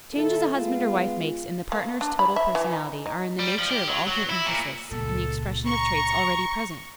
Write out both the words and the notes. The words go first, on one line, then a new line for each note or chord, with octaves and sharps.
The changes a husband or wife makes in the partner's total personality are in the nature of altered emphasis in the expression of traits already present.
A#2 D#3 E4 A4
G#3 B3 F4
A#3
D4
B5
E5
E3
D#4
D#4
G3
F3
G4
F#3
F#3
E4
A#2
C#2 A#2 A4
A#5 C#6